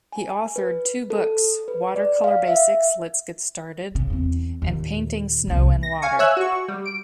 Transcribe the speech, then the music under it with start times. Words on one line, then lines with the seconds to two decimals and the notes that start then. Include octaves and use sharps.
He authored two books, "Watercolour Basics: Let's Get Started" and "Painting Snow and Water".
0.12 G#5
0.56 B4
1.10 A4
1.68 B4
1.96 D5
2.24 F5
2.48 E5
3.95 C#3
4.10 E2 C4
4.62 D#2 A#2
5.47 C2 A#3
5.83 A#6
6.02 F5 G#5 C#6
6.19 C#5 E5 G#5 E6 F#6
6.37 F#4 C#6
6.68 G3
6.85 D7